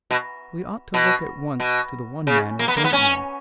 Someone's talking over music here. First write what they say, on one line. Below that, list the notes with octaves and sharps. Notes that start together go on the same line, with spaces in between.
We ought to look at once to the one man we don't know.
B2
B2
B2
C#3
A#3
B3
A#3
B3
C#4